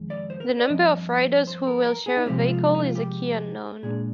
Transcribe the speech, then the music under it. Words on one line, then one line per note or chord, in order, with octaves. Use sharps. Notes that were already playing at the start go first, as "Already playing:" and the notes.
The number of riders who will share a vehicle is a key unknown.
Already playing: F2 D#3 G#3
D5
C5
A#4
C5
D5
G2 F3 C4 D#5
C5
A#4
A#4
G#4
D#4
C3 F3 G#3 C4 G4
F4
D4
D#4
F4
G4
A#2 G#3 D4 G#4